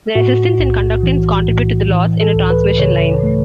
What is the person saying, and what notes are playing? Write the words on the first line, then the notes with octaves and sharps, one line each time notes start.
The resistance and conductance contribute to the loss in a transmission line.
A2 F#4
B1
E3
A2
E3
A4
C#2
B4
C#3 C#5
A3